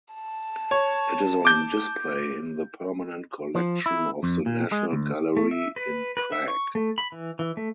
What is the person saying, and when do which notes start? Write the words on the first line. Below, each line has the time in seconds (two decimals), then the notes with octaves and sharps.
It is on display in the permanent collection of the National Gallery in Prague.
0.14 A5
0.71 C#5
1.45 D6 G6
3.55 F3
3.86 E4
4.23 F2
4.46 A#2
4.72 G#3
4.92 D2
5.37 A3
5.51 E5
5.76 B4
6.17 B4
6.32 E5
6.48 C#6
6.75 A3
6.98 B5
7.12 E3
7.39 E3
7.57 A3